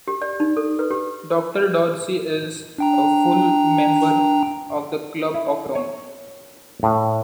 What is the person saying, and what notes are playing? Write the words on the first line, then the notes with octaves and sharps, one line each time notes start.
Doctor Dorsey is a "Full member" of the Club of Rome.
G4
D5
D#4
A4
B4
G4
D4 G5 A#5
E4
C#5
A2